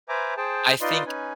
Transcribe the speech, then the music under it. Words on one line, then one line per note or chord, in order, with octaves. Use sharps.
I think
B4 C5 E5 G#5 A#5 D6
G#4 C5 G5 A5
D#4 F4 B4 D5 D#5 C6
C#4 D#4 B4 G#5